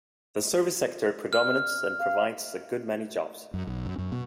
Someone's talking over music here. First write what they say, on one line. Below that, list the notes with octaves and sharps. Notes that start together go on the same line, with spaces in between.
The service sector predominates and provides a good many jobs.
F6
F5
F#2
B1
F#2
F#2
B2